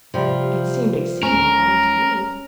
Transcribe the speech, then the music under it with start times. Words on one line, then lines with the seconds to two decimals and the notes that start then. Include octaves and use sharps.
'It seemed exceedingly long to me.
0.14 C3 F3 G3
1.23 C#2 C#4 A#4 A#5